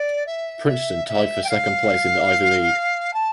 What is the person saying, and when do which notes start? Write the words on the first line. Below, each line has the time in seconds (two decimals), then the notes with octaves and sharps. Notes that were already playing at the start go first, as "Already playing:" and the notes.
Princeton tied for second place in the Ivy League.
Already playing: D5
0.26 E5
0.67 E5
1.08 E5
1.44 G5
1.49 F5
3.13 A5